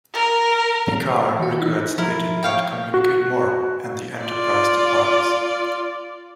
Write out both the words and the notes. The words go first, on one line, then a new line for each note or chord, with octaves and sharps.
Picard regrets they did not communicate more, and the "Enterprise" departs.
A#4
E3 F#4
D#4 E4
F3 E4 A#4
C#5 F5 G5
F#4
F4 D5